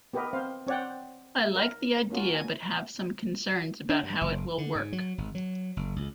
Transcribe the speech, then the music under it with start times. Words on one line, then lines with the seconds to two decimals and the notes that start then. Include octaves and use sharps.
I like the idea but have some concerns about how it will work.
0.13 B3 G4 A#4 B4 D#5
0.33 C4 C5 F5
0.67 C4 C#5 D5 F#5 G5
1.56 A#4
2.10 A#3 C#4 F4 F#4
2.35 G#5
3.89 D4
4.03 G2
4.21 F#1
4.58 D3
4.75 G#2
4.93 F#3
5.18 G#1
5.35 F#3
5.77 F#1
5.96 C#2